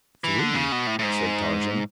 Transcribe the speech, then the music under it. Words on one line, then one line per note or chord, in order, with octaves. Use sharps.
"Three?" said Tarzan.
E3
D3
C#3
B2
A2
A2
G#2